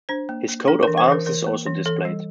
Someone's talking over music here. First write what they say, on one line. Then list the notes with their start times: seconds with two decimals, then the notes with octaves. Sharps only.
His coat of arms is also displayed.
0.09 D4 C5
0.29 A#3
0.48 A#3
0.68 D4 A4
0.83 A#4
0.87 E3
0.98 C5
1.07 E3 A#4
1.26 E3 A#4
1.47 A#3
1.66 E3
1.86 E3 A4
2.05 G3